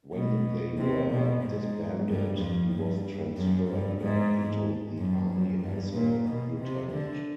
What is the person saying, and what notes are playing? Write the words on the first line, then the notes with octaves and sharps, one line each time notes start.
When they were disbanded, he was transferred back into the Army as a lieutenant.
B2
C3
B2
G#2
G2
F2
G2
F#2
G2
G#2
F#2
F#2
G2
A#2
B2
C3
D3